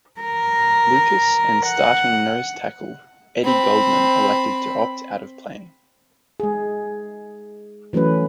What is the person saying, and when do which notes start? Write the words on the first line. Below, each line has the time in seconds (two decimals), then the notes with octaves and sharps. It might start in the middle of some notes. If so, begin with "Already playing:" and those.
Lucas and starting nose tackle Eddie Goldman elected to opt out of playing.
0.20 A#4
1.66 F#5
3.44 C4 B5
6.40 G#3 G#4
7.93 E3 F#3 A3 C#4 B4